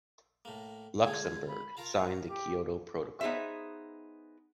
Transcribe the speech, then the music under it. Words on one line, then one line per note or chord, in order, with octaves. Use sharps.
Luxemburg signed the Kyoto Protocol.
A2 A#3
D3 G#3 F4 G#6
B5
F4 A#4 F5 A5
G4
B3 D#4 G#4 C5 E5